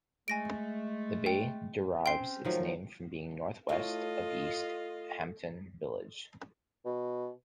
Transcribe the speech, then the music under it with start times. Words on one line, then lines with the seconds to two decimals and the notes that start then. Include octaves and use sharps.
The bay derives its name from being northwest of East Hampton village.
0.28 G#3 A3 G#5 A#6 D7
1.26 G5
2.06 C4 C#4 C5 G5 C6 C7
2.45 D#3 F3 F#3 A3
3.69 A3 E4 F4 C#5 D#5
6.85 B2